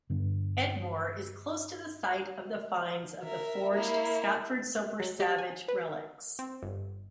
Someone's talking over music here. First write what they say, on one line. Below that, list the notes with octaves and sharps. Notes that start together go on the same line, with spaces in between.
Edmore is close to the site of the finds of the forged Scotford-Soper-Savage relics.
G2 D3 B3
A#4 E5
A#3 E4
F#3
G4
G#5
B4
C4
G1